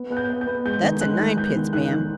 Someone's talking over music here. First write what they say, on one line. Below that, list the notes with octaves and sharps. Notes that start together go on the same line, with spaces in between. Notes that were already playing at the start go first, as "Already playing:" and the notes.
That's a ninepence, ma'am.
Already playing: B3
B3 F#6
G6
B3
G6
B3
G#3 G6
D#3
G#3 F#6
D#3
B3 G6
D#3
D#3 F#6
D#3